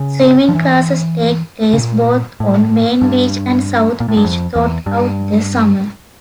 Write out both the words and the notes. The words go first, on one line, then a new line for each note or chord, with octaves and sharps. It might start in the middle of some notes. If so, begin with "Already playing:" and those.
Swimming classes take place both on Main Beach and South Beach throughout the summer.
Already playing: C#3
F3
E3
C#3
A#2
A2
G2
A#2
A2
G2
F2
E2
G2